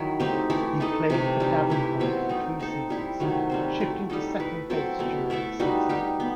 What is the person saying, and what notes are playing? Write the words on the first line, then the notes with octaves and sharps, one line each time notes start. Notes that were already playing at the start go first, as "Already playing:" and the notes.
He played for Davenport for three seasons, shifting to second base during the season.
Already playing: D#3 F#3 E4
A3 C4 D#4 G4
E3 A3 E4
A3 D#4 A4 D#5
C3 E3 A3
E3 G3 D#4
A3 E4 G4
B2 F#3 C4
A3 C4 D#4
C4 D#4 A4
G3 C4 E4
C3 D#3 F#3 A3
G3 C4 F#4 C5
F#3 A3 E4
G3 D#4 A4
A3 E4 B4
F#3 C4 E4 A4
B2 A3 E4
A3 E4 A4 E5
G3 D#4 F#4 B4
G3 D#4 G4
B3